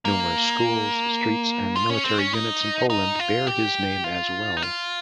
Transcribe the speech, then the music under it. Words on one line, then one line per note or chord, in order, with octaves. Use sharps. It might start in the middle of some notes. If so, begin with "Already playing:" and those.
Numerous schools, streets and military units in Poland bear his name as well.
A#3
F4
C#4
C4
C#4
D#4
D#4
F4
G4
F4
D#4
F4